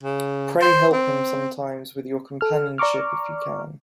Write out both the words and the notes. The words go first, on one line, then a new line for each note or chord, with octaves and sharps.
Pray help him sometimes with your companionship if you can.
C#3
C5
C4
A4 F6
D5 A#5 C#6 D6 F6